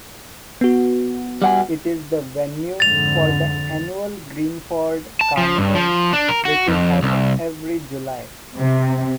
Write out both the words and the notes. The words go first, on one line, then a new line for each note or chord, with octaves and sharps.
It is the venue for the annual Greenford Carnival, which is held every July.
B3 F#4
G3 F#5 G#5
F2 G#2 D3 A6 F7
A5
F3
G2
F3
D4
A#4
F#4
F2
C2
C3